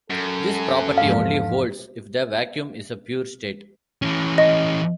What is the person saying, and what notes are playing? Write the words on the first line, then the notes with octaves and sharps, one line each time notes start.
This property only holds if the vacuum is a pure state.
F#2 A4
E2 G#2 F3 F5
E3 C#4
D#5